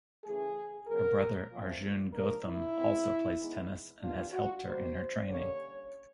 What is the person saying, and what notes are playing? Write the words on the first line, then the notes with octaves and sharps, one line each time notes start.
Her brother Arjun Goutham also plays tennis and has helped her in her training.
C#3 E3 A3 G#4
C#3 F#3 B3 A#4
A#2 F3 A3 C4
F3 A#3 D4 A#4
E4
B2 G#3 C4
E3 G#3 B3 D#4
D#3 G3 B3 D4 F4
F#4
C3 D#3 G3 A#3 C5
D3 G3 A#3 C#4 C#5